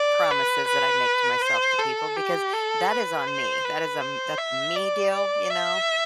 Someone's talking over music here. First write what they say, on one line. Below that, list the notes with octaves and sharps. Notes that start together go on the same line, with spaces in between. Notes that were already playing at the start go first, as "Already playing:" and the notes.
promises that I make to myself to people because that is on me. That is a m that's a me deal. You know?
Already playing: D5
B4
B4
C5
A4
G4
A4
B4
C5
B4
C5
E5
D5
D5
E5